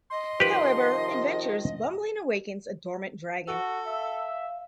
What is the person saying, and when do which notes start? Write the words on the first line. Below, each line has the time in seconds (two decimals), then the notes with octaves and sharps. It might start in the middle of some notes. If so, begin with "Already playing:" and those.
However, Adventure's bumbling awakens a dormant dragon.
0.11 D#5 C6
0.40 C3 D#3 F3 G4 B4
3.48 F#4 A4
3.86 E5 F5